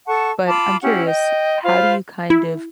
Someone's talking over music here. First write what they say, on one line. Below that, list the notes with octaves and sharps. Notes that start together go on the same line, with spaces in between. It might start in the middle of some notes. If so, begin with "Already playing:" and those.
but I'm curious, how do you kind of
A4 F#5 A5 C#6
F4 A5 B5 D6
C#4 E4 G4 F#5
D#5 G5
F4 C5 F5 B5
E4